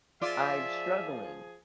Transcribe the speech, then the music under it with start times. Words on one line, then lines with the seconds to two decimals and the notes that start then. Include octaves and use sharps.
I'm struggling."
0.21 F3 F4 G#4 D5 E5